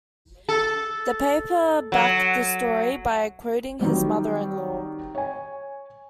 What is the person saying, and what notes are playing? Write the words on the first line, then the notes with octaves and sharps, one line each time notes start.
The paper backed the story by quoting his mother-in-law.
A4
F#3
D#3 F#3 G3 C4
C#5 G#5